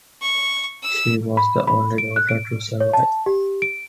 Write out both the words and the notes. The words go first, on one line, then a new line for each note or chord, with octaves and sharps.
She was the only daughter to survive.
C#6
E6
B5
B5
D7
F#6
D7
C#5
A5
G4
D7